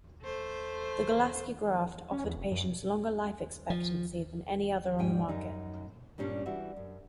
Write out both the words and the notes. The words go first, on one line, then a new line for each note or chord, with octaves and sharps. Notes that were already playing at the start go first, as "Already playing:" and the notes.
The Golaski graft offered patients longer life expectancy than any other on the market.
A3 C5
C#4
E2
F1
F#2
F3
G#2 G3 G5 G#5
F#2 D#4
G2 A#2 G3 C#4 D4
E3 G3 F#4 E5
F#2